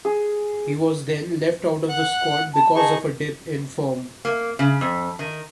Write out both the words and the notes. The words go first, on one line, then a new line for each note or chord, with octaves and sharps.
He was then left out of the squad because of a dip in form.
G#4
F#5 F#6
A5
D#4 G#4 A5 C#6
A#3
C#3
F2
D#3